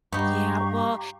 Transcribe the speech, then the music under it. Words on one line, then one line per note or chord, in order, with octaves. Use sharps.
Yeah, well,
G2 B3 D#4 G4 F5 A#5 C#6